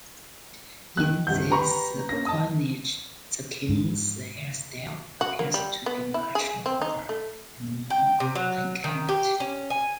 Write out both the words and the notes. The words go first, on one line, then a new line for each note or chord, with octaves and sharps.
In this coinage the king's hairstyle appears to be much longer and more unkempt.
D#3 F#6
C2 G2 F#5 G6
G4 B4 A#5 B5 C#6
A#3 C#4 A#6
D#5 A5 D#6
G#2
F#4
A#3
G3
B3
E4
G#4
C4
D#4
A3
G5
C3
F#3
D#3
G4
C#4
G#5